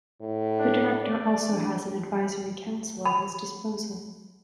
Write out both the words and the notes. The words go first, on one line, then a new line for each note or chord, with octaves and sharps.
The director also has an advisory council at his disposal.
A2
D4
D5
D4
B5